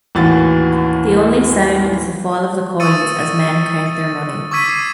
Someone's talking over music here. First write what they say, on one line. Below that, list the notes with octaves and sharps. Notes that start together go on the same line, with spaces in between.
The only sound is "the fall of the coins" as men count their money.
A1 D#2 E3 F#4 A6
C#6 D#6 E6 A6 C#7 D#7
A6
C#6 D6 E6 G#6 B6 D#7
D6 B6 C7 D#7